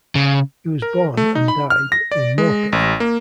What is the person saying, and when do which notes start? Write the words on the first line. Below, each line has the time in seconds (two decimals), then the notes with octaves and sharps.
He was born, and died, in Morpeth.
0.15 C#3
0.82 A#4
1.17 A3
1.35 D#4
1.48 B5
1.70 F6
1.92 A#6
2.12 D5
2.38 G#3
2.72 A1
3.00 A#3